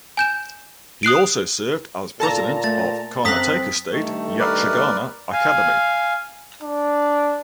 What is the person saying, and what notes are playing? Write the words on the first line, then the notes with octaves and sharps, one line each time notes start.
He also served as president of Karnataka state Yakshagana academy.
G#5 G6 E7
D#6 F#6 C7 D7
A#2 A4 A5 A#5
A3 A6
F#2 C4 A4 F5 A#5 D#6 F#6 B6
G2 D#3 A3
A#4 B4 D5
F5 G#5
D4